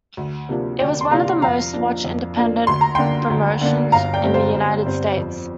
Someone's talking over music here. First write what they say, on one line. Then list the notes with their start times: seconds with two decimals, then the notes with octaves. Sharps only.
It was one of the most-watched independent promotions in the United States.
0.17 D2
0.49 C3 F3 A#3 D4
0.80 D2 D5 G5
1.01 C6
1.11 C3 F3 A#3 D4 F5 A#5
1.42 F2 F5 A#5
1.73 F3 A#3 D4
2.05 F2
2.37 F3 A#3 D4
2.67 D2 C6
2.81 A#5
2.95 D3 A#3 D4 G5 C6
3.30 D2
3.61 D3 A#3 D4
3.92 G1 F5 A#5
4.13 D5 G5
4.23 G2 G3 C4
4.34 C5 F5
4.55 G1
4.86 G2 G3 C4
5.17 F2